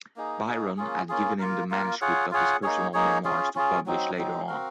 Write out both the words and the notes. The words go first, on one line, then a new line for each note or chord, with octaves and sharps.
Byron had given him the manuscript of his personal memoirs to publish later on.
A#3 D#4 G#4
A#3 D#4 G#4
A#3 C#4 F4 G#4
A#3 C#4 F4 G#4
A#3 F4 A#4
A#3 F4 A#4
F4 G#4 C#5 F#5
F4 G#4 C#5 F#5
A#3 D#4 G#4 C#5
A#3 D#4 G#4 C#5
C#4 F4 G#4
C#4 F4 G#4
F#3 C4 D#4
F#3 C4 D#4
C4 F#4 A#4 F5